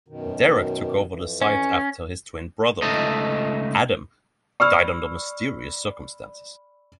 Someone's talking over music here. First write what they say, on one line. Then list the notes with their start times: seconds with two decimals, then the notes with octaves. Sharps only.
Derek took over the site after his twin brother, Adam, died under mysterious circumstances.
0.08 F#2 B2 D#3
1.07 F2 E3
1.42 C#4
2.82 C#2 A3 D#4 A4 D#5
4.60 D5 B5 C#6 E6 F6